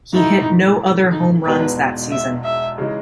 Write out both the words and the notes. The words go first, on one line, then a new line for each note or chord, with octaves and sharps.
He hit no other home runs that season.
G#2 E3 A3 D#4 E4 A4
D#4
E1 E2 B2 G#3 D#4 B4
E5
E5
C#3 E3 G#3 D#4